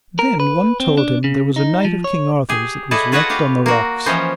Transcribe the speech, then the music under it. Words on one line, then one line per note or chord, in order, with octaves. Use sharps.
Then one told him there was a knight of King Arthur's that was wrecked on the rocks.
A#4
B4
C4
D4
C#3
D#4
F3
C#5
G4 G#4
E4 G#4 A4 B4 D5 D#5
F4 F#4 B4 C#5 D#5 F#5
G4 B4 F5
A#3 F#4
E3 F3 C#4 C5 D#5 G5